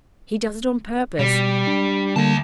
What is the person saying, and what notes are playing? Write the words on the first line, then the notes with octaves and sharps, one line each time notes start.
He does it on purpose.
B2 G3
D4
D2 D3 G3 A#3 A5